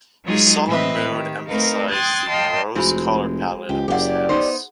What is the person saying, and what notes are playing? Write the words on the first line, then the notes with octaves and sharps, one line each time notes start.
His sullen mood emphasized the morose color palette of his house.
F#3 G#3 D#4 F4 G#4
A2 E3 C4 B4 D#5 E5
D#3 G4
A3 C4 D#4 A#4 B4 F5
G5 C6 D#6 F#6 G#6 A6
D#5 F5 G5 A5 C6
F1 G#3 C4 E4 F#4 B5
C#2 G4
F#1 G4 G#4 D5 F#5
B3 D#4 C5